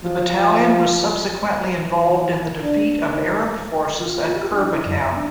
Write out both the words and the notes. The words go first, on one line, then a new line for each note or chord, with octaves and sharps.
The battalion was subsequently involved in the defeat of Arab forces at Kirbekan.
F3
E3
D4
D#3
F4
G4
D4
E4
F#2
E5
D4